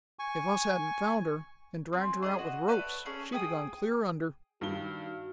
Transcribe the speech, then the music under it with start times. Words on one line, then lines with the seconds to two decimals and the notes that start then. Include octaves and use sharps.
If us hadn't found her, and dragged her out with ropes, she'd have gone clear under.
0.19 G#5 C#6
1.93 C4 G#5
2.22 D4 G#4 A4 D#5
2.39 F#4
2.68 A4 B4 C#5 D5
3.05 C#4 G#4 A4
3.32 G#4 G5 G#5 D#6
4.61 G2 D#3 F#4 G7